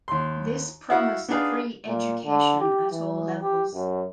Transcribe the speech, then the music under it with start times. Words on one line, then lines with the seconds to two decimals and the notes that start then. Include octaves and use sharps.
This promised free education at all levels.
0.08 D#2 C6
0.90 E4 F#4 F5 F#5
1.28 B3 D4 D#4 G#4 B4 F5
1.87 A#2
2.25 D3
2.60 G4
2.91 E3
3.41 G4
3.73 F#2